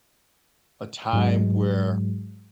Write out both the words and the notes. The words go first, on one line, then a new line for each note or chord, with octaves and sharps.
a time where
G#2 F#3 G#3